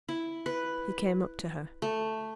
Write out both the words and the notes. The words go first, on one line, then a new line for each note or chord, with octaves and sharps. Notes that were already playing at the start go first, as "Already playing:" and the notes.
He came up to her.
E4
B4
A3